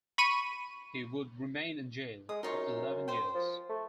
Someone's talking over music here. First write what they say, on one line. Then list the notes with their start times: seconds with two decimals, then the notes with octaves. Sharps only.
He would remain in jail for eleven years.
0.18 B5 C#6 D#7
2.29 G#3 D#6
2.43 F#2 D#4 F4 C#5
3.08 C5 G5
3.34 F3
3.69 A3